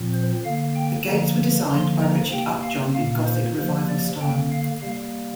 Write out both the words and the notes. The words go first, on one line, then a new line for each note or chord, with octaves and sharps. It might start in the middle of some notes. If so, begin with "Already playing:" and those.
The gates were designed by Richard Upjohn in Gothic Revival style.
Already playing: A#2 F3 C4
C5
D3 A#3 F5
G5
D3 F3 A#3 A#5
D3 F3 A#3 C6
A#5
C3 A#3 G5
F5
A#2 A#3 F5
C5
C3 F3 A#3 C5
D5
D3 A#3 G5
F5
C3 G3 A#3 F5